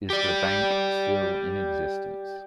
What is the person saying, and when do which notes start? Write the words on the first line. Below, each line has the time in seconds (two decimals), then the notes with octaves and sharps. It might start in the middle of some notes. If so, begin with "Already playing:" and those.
Is the bank still in existence?
0.10 G4 D5